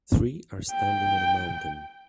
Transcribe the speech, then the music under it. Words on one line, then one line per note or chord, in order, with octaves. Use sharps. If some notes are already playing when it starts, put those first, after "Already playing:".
Three are standing on a mountain.
G5